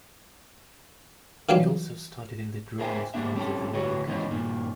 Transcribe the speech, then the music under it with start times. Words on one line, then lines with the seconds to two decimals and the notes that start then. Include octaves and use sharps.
He also studied in the drawing schools of the Royal Academy.
1.49 D#3 E3 F#3 G3 D4 F4
2.79 G#4 A#4 C5 E5 G5 G#5
3.14 G#2 G3 A#3 D4 E5
3.35 G3 C4 C#4 G4 A4
3.73 D2 A2 F#4 B4 C#5
4.08 D#3 E3 G#3 B3 C#4 D#4
4.31 G2 A#2 D#3